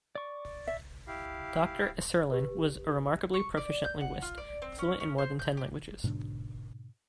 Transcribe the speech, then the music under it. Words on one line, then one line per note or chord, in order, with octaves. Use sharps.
Doctor Isserlin was a remarkably proficient linguist, fluent in more than ten languages.
D5 C#6
E5
E4 G4 F5
G4 B4
C#6
D5
G6
F#5
F4
D5
C4
C#4
C#4
C5
G6
G4
G#2 B2 D3 D4